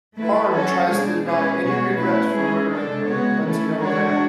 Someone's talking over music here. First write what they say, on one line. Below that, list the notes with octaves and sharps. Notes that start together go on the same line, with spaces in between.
Harm tries to deny any regret for murdering her, but to no avail.
A3 E4 B4
F#3 C#4 F#4 A4 C#5
B2 G#3 D4 G#4
G#3 C#4 G#4 B4
B2 G#3 C#4 F#4 C#5
A3 C#4 E4 B4
G#3 C#4 G#4
G#3 D4 A4
C#3 G#3 B3 F#4 C#5
E3 A3 C#4 E4 A4
G#3 D4 F#4 C#5